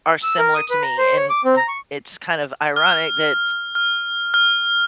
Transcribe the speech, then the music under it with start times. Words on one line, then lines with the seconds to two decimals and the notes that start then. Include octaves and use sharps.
are similar to me, and, uh, it's kind of ironic that
0.23 E6
0.38 A#4
0.55 D#6
0.70 B4
0.82 A#5
0.98 C5
1.17 C#5
1.30 D6
1.45 C4
1.57 A#5
1.69 C#6
2.76 F6
3.75 F6
4.34 F6